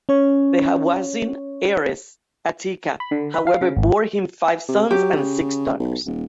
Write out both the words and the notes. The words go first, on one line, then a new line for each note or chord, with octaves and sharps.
The Hawazin heiress Atikah, however, bore him five sons and six daughters.
C#4 C#5
B5
D3
B4
F5
C#3
G#1
C3
F#3 G4
C#3
B1
D#1